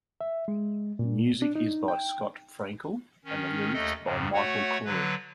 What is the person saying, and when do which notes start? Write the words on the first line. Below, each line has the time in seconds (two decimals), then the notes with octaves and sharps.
The music is by Scott Frankel and the lyrics by Michael Korie.
0.21 E5
0.48 G#3
0.99 A#2
1.42 D4
1.56 D#4
1.88 G5
3.25 D#3 C#4
3.73 D#2 A3 A4 D#5
4.04 F2 G#2 C#3
4.34 A3 F#4 C#5 F#5
4.85 D3 F#3 B4